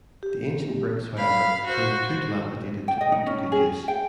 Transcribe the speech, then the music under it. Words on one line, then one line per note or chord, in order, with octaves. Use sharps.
The ancient bricks, however, proved too dilapidated to put to good use.
G4
F5 B5
F#4 C5
G5
D#5
D#4
C#4
G#4
G5